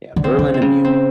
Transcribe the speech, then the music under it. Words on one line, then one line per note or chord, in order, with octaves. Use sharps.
Yeah, Berlin and Munich.
D3
C4
D3
C4
C#3
C4